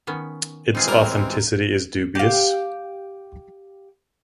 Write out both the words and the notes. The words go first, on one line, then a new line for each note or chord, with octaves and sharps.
Its authenticity is dubious.
D#3 B3 C#4
E3 G#3 C4 D#4 F4 G#4
G3 B3 A#4
G4 F5